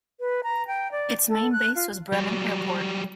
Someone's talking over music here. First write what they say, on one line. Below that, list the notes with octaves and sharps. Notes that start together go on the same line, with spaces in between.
Its main base was Bremen Airport.
B4
A#5
G5
D5
A4
F#6
F4
F#3 G3